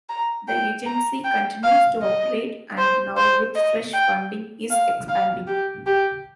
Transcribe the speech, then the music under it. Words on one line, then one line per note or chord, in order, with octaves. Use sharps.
The agency continues to operate, and now with fresh funding, is expanding.
A#5
G5
A#5
G5
F5
D#5
C5
C5
D#5
G5
F5
F5
G4
G4